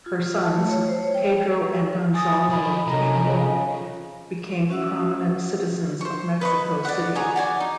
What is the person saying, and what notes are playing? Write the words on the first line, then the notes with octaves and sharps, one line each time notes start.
Her sons, Pedro and Gonzalo Cano, became prominent citizens of Mexico City.
F4
F4
A5
A3
C#5
C5
C#5
G5
G#5 D#6 A6 A#6
F3 F#3 B5
F#2 C3 D#4 A4 D#5 A#5
C#3 F4 C5
C#4 F#4 E5 F#5 E6
C5 C#6
B4 D#5 B5 C#6
D5 F#5
D#4 F#4 G#4 C#5
F#4 D5 G#5
D#4